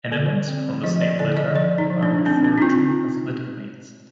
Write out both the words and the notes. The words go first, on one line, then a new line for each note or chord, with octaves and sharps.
Animals from the same litter are referred to as litter-mates.
D3 D5
C4
F3 D#5
D5
D3 D5
D#5
F3 D5
D#4
F3
D4
C4 D4
D4
D#4
C4 F4